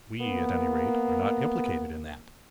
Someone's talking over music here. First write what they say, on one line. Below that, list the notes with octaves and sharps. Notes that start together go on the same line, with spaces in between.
"We at any rate are not implicated in that."
A#3 B3